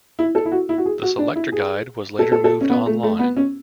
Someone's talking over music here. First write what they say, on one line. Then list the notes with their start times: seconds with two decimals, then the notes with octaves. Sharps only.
The selector guide was later moved online.
0.19 E4
0.35 A4
0.45 E4
0.52 F#4
0.69 E4
0.78 F#4
0.85 G#4
1.03 F#4
1.19 D4
1.36 E4
1.52 G#4
2.19 A4
2.32 A4
2.44 A4
2.61 C#4
2.69 B3
2.86 A3
3.03 A3
3.19 B3
3.37 C#4